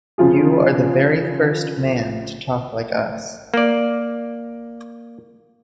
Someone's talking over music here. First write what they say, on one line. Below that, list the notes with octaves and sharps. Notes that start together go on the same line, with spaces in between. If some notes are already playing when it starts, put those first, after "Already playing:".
You are the very first man to talk like us.
C#3 F3 F4 G#4
A#3 D5